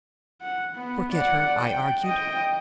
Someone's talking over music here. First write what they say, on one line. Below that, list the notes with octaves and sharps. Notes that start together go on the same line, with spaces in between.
"Forget her," I argued.
F#5
B3
D5 F#5
G5
D#5 G5